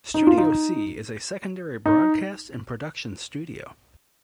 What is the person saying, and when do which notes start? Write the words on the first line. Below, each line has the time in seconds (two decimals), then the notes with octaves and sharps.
Studio C is a secondary broadcast and production studio.
0.14 D#4
0.27 F4
0.38 D#4
1.86 D#4